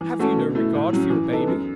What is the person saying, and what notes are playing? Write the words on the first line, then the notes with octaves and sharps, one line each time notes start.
Have you no regard for your baby?'
E3
A3 C#4 F#4 A4
B2
A3 E4 A4
A2
F#3 C#4
E3
B3 D#4 A4
F#2